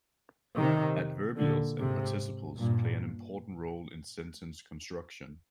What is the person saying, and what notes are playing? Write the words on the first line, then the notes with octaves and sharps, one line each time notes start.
Adverbials and participles play an important role in sentence construction.
C3 D#3
A#2 D3
G#2 C3
G2 A#2